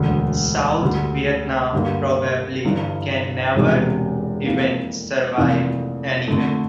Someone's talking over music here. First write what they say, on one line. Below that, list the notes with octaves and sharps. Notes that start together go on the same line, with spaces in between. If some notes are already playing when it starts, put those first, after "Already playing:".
South Vietnam probably can never even survive anyway.
Already playing: E1 D2 D3
D2 D3 G3
G2 D3 G3 A#3
G1 G2 E3
E1 E2 C3 G3
F2 E3 A#3
F1 F2 E3 A#3 F4
F2 D3 A3